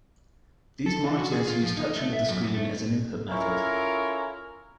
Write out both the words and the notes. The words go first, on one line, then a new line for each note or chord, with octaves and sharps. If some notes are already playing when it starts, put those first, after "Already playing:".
These monitors use touching of the screen as an input method.
A4
E3
F#4
G#4
F4
F3
D#4
A3
E5
F#2
F#2
A3
C#4 E4 F4 A4 A#4